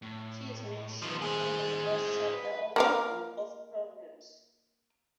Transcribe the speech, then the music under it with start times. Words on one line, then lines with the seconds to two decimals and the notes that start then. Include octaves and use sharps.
She is mentioned in the first chapter of the Book of Proverbs.
0.02 A2
1.02 B2 D#3 F3 G3
1.22 G#4 C5
1.90 E4 G4
2.33 B4
2.76 A#3 A#4 F5